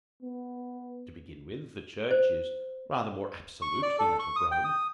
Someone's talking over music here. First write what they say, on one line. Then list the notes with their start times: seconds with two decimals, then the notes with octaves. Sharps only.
To begin with, the Church is rather more absolute than that of Rome.
0.23 B3
2.11 C5
3.62 C#6
3.83 D5
3.99 A4
4.19 C#6
4.36 D#6
4.51 G5
4.64 D#6